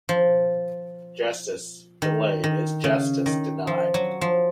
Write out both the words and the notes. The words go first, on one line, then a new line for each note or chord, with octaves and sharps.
Justice delayed is justice denied.
F3
D#3
D#3
C#3
D#3
F3
F#3
F3